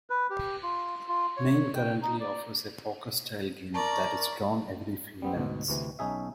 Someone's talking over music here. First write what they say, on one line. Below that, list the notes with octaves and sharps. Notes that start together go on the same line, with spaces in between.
Maine currently offers a poker-style game that is drawn every few minutes.
B4
G4
F4
F4
C#5
G5
D#4
D5
A#4 D5 A5 A#5 C#6
G3 B3 C4
D2 G#2 B2
D2 C3 E3
B1 C#4 D#4 G#4 E5